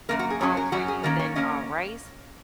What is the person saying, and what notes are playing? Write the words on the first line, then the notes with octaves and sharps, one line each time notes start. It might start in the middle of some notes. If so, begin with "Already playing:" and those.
um, for you than, uh, rice,
F#2 C#3 A#3 A#4
F#4
G#4
F#2 F#3 C#4 C#5
A#4
F#2 F#3 C#4 F#4
G#4
D#3 A#3 C#4 A#4
C#5
A#3 C#4 D#5